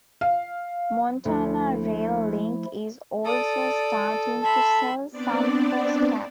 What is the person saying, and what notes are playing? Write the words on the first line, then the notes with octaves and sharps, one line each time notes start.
Montana Rail Link is also starting to sell some for scrap.
F5
D2 F3 A3 E4
A4 D5 D#6
E5 A5 B5 C6
B3 C4 D4 D5